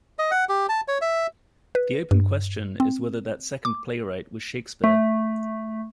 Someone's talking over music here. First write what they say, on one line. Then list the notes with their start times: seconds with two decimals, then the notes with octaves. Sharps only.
The open question is whether that second playwright was Shakespeare.
0.19 D#5
0.31 F#5
0.49 G4
0.69 A5
0.88 C#5
1.01 E5
1.75 B4
2.11 G2
2.80 C4
3.65 D6
4.84 A3